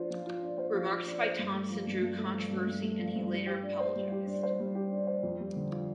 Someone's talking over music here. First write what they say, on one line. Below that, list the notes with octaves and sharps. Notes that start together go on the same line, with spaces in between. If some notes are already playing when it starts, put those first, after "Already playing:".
Remarks by Thompson drew controversy and he later apologized.
Already playing: F3 D4 F4 C5
F3
F4
D4
C5
F3
F4
D4
C5
G2
A3
F3
G2
G2
A3
F3
G2
G2
A3
F3
G2
G3
G4
D4
C5
G3
G4
D4
C5
G3
G4
D4
C5
F2
G3
D3
F4